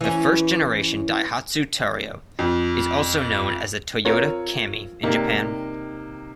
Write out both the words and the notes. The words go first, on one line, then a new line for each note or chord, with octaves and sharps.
The first-generation Daihatsu Terios is also known as the Toyota Cami in Japan.
E3 C#4
F2
C4 F4 A#4 C#5
C3 A#3 D#4 G4 D5